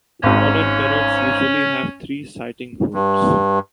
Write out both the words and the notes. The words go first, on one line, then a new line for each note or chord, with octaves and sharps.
Modern turrets usually have three sighting-hoods.
G#1 G#2 C#4
G2